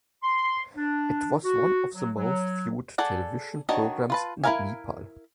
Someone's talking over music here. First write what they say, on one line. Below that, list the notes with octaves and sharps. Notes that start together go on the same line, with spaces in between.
It was one of the most viewed television programs in Nepal.
C6
D4
F#4
F#3
F#3
G#4 A4 D5 F#5
D#3 D4 F#4 C#5 D#5
F4 B4 A5
E4 F#4 A#4 F5 G#5